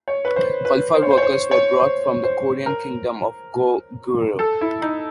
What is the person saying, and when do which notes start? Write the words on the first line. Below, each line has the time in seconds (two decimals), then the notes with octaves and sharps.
Qualified workers were brought from the Korean kingdom of Goguryeo.
0.08 C#5
0.25 B4
0.36 C5
0.65 B4
0.94 C5
1.03 C#5
1.11 C5
1.18 C#5
1.22 C5
1.51 C#5
1.80 C5
2.24 C5
2.66 A#4
4.39 A4
4.61 E4
4.82 D#4